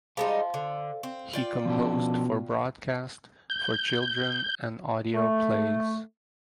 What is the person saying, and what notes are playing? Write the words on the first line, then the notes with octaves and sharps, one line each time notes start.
He composed for broadcast for children and audio plays.
G3 G#3 D#4 C5 F5
D3
C4
F4 D5 G5
B2 F3 C#4 D4
G6
A3